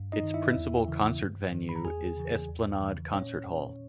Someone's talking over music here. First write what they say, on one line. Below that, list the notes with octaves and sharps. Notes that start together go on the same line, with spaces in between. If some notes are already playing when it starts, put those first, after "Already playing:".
Its principal concert venue is the Esplanade Concert Hall.
Already playing: G2
D#4 D#5
D#3
E4 E5
E2
C#3 E3
G2
D#3
B5
A#5
E2 G#4 G#5
C#3 E3
E2
C#3 E3
A#2 C#4 C#5